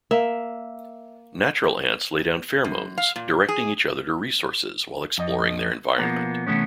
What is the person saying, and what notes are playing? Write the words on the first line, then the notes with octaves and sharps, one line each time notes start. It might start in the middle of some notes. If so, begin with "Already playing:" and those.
Natural ants lay down pheromones directing each other to resources while exploring their environment.
A#3 E5
F#2
F5
A#2
G#4
F2 D#5
B2 F3 A#3 B3
C3 E3 A3 B3 C#4